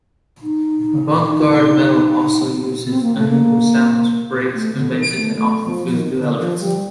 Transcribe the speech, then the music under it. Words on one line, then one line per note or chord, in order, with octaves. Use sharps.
Avant-garde metal also uses unusual sounds, breaks conventions, and often includes new elements.
D#4
D#4
C4
A#3
A3
A#3
A3
D3
F3
D#3
A3
A3
F3
D#3
D3
F3
G3